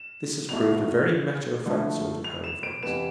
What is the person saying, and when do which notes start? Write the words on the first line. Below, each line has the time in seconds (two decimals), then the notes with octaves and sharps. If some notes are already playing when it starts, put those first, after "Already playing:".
This has proved a very matter-of-fact sort of home for us.
Already playing: E7
0.49 C2 B2 A3 E4 F7
1.66 D3 F3 A3 E4
2.24 F7
2.44 E7
2.63 D7
2.83 F2 C3 E3 B3 E7